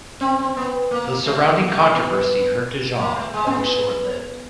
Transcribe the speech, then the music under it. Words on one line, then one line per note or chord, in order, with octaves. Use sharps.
The surrounding controversy hurt De Jong but was short-lived.
C4
C4
B3
A#3
A3
A#3
A3
G#3
A3
B3
A#3
A3
G#3
C4
B3